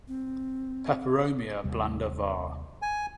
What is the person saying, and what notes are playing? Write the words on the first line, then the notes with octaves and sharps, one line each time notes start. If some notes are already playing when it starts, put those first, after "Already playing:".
Peperomia blanda var.
C4
D#2 C3 G3
G#5